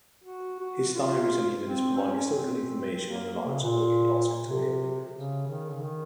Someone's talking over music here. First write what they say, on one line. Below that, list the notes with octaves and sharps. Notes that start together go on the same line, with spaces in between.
His diaries and images provide historical information on the lives of working-class Victorian women.
F#4
F#4
F4
C4
C#4
C#4
C4
A#3
A#3
C3
C#3
A#2
C3
C#3
D#3
C#3
D#3